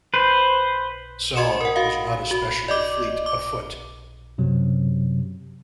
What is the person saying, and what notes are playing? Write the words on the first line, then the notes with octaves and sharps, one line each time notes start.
Sauer was not especially fleet afoot.
B4 C5
F#4 D#5 C6 C#7 E7
A#4 F#5
F#4 F5
F#4
D5 D#5 D6
D6
F#2 C3 F#3